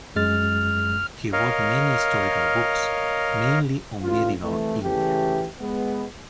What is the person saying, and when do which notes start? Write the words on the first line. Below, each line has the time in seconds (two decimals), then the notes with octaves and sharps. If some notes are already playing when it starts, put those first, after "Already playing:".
He wrote many historical books, mainly on medieval India.
0.16 F#2 G#3 F6 A6
1.33 A#4 C#5 D#5 F5
4.03 A1 F4
4.42 C2 E3 A3
4.82 C#3 E3 A3 G4
5.61 G#3 B3